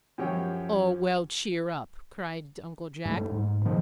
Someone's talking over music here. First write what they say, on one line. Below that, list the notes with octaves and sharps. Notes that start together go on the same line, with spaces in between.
"Oh, well, cheer up!" cried Uncle Jack.
F#2 F3 G4 C#5 G5
G2 A3
G#2
A#2 D#3 F3